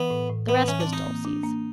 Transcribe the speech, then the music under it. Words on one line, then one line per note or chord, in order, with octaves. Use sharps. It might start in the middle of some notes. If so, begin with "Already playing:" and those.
The rest was Dulcie's.
Already playing: E3 B3
A2
A2
E3 B3
E3 C#4
D4
C4
D#4
A#3
D4
A#3